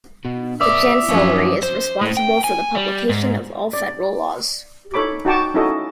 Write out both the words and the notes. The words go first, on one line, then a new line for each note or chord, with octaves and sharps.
The chancellery is responsible for the publication of all federal laws.
B2
B3 D5 E5 D6 D#6
F#2 F3 C4 C#5
C5
A2
G5
G#5
G3
G#2
D5
D#4 A4 C#5 B5 D6
D#4 F#4 G5 A5 C#6 D6
C#4 D#4 E4 F#4 A4 D#5